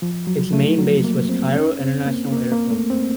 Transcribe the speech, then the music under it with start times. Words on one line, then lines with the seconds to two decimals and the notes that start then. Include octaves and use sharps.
Its main base was Cairo International Airport.
0.02 F3
0.27 F#3
0.53 A3
0.78 F#3
1.04 A#3
1.29 C4
1.55 C#4
1.80 C4
2.06 A#3
2.32 A#3
2.52 A#3
2.70 A3
2.90 C4